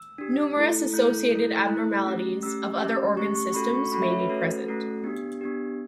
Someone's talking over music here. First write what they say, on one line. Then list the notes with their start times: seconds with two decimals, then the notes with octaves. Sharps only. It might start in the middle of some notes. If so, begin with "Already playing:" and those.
Numerous associated abnormalities of other organ systems may be present.
Already playing: E6
0.18 D4 G4
0.56 A3 E4 A4
0.93 A3 E4 A4 G6
1.31 A3 E4 A4
1.68 A3 E4 A4 F#6
2.06 A3 C#4 G4
2.43 A3 C#4 G4 E6
2.80 A3 C#4 G4
3.17 A3 C#4 G4 C#6
3.35 C#6
3.54 A3 C#4 F#4 A4 B5
3.73 C#6
3.92 A3 C#4 F#4 A4 B5
4.02 E5
4.11 C#5
4.20 B4
4.29 A3 C#4 F#4 A4
4.66 A3 C#4 F#4 A4
5.04 B3 D4 G4
5.41 B3 D4 G4